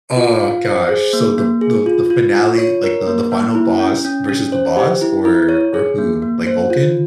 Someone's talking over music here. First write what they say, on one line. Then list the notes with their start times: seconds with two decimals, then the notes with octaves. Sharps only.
Uh, gosh, so the the the finale like, the the final boss versus the boss or or who? Like, Vulcan?
0.17 F4
0.40 F5
0.65 C5
0.89 G#4
1.13 A#3
1.38 A#3
1.61 G#4
1.86 F4
2.10 F4
2.34 F4
2.58 C#5
2.84 A#4
3.07 A#3
3.32 A#3
3.55 E4
3.79 C#4
4.05 C#4
4.29 C#4
4.52 C5
4.77 G4
5.01 E4
5.25 E4
5.49 C#5
5.74 G#4
5.98 A#3
6.22 A#3
6.47 C5
6.70 F4